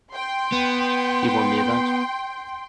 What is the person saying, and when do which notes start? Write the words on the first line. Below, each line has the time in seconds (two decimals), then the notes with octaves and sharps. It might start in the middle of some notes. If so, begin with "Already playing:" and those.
He won the event.
0.13 G5 C6
0.52 B3